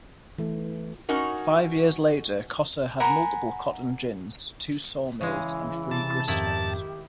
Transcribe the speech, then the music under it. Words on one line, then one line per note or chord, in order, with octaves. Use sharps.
Five years later, Kosse had multiple cotton gins, two sawmills, and three gristmills.
E3 A3
C#4 D#4 F#4 A#4
A#4 F#5 G#5 B5
C#3 E3 G#3
C3 A5
F2 G#2 D#3 E4 G4